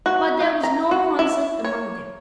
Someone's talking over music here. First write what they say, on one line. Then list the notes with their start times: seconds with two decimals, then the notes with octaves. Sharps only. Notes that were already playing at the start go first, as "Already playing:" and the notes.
But there was no concert among them.
0.06 F#4
0.40 D#4
0.63 A#5
0.91 F#4
1.19 E4
1.64 C#5